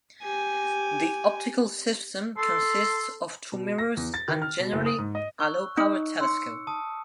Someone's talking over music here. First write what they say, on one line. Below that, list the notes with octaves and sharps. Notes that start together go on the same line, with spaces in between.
The optical system consists of two mirrors and, generally, a low power telescope.
G4 G#5
A4 C6
B2
A#6
E2
A6
D#3
F6
B2
F#1
D#6
G#2
D#5
C#6 E6 F#6
D#4
C#5 C6 E6 C#7
A5 D#6